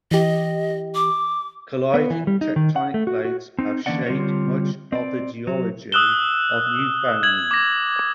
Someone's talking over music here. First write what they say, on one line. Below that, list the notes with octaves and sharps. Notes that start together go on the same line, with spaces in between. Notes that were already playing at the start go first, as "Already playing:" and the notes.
Colliding tectonic plates have shaped much of the geology of Newfoundland.
E3 G4 D#5
D6
B3
E3
G3
D#4
D#3
F#5
A3
F#4
F#4
C4 D#4
D3 E3 A#3 C#4 D5 F#5
D3 G3 C4 F4 G4 C#5
C4 D5
F#3
D#6 E6 F#6 E7 G7
G#6 F#7
D6 A#6